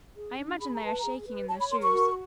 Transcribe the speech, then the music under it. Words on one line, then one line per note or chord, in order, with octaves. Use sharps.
"I imagine they are shaking in their shoes."
G#4
D4
G#4 B5
A#5
B4 A5
A#5
G#4
B4
C#5 A5
B5
A#4 C6
C#6
F#4